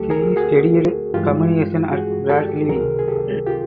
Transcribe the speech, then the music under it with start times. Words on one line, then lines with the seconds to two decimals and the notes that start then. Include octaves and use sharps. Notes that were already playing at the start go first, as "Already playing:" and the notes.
He studied communications at Bradley.
Already playing: D2 D3 F#3 A3 G4 A4
0.10 G#4 A#4
0.36 F#4 G#4
1.14 G2 E3 G#3 F4 G4
1.91 F#4 G#4
2.30 G4 A4
2.68 C#2 C3 D#3 F#3 G#4 A#4
2.99 G#4
3.08 G4 A4
3.46 F4 G4